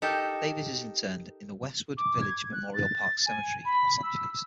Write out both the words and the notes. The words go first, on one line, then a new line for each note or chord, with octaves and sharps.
Davis is interred in the Westwood Village Memorial Park Cemetery in Los Angeles.
D#4 G4 A4 A#4
D6
G#6
F#6
A6
G#5
B5
E6